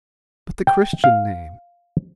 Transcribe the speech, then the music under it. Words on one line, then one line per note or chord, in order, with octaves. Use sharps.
"But the Christian name?"
G5
F5